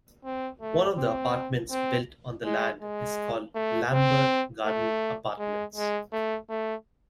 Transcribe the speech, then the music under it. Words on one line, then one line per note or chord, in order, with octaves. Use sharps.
One of the apartments built on the land is called Lambert Gardens Apartments.
C4
A3
C4
C4
G#3
G#3
A3
C4
A3
G#3
G#3
A3
A3